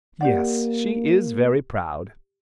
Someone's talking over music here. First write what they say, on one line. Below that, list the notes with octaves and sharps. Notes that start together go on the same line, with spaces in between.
"Yes, she is very proud."
A#3 G4 D5 F#5